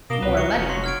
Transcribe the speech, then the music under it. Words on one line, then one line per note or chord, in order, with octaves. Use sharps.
more money.
B2 A#3 D#6 E7 G7
C2 B4
F#3 C#6 C#7
F1 C#4
F#3 C6
F6 G#6 D7